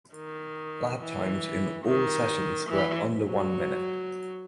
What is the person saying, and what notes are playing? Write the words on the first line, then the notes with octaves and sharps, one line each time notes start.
Lap times in all sessions were under one minute.
D#3
E3
D#3
E3
F#3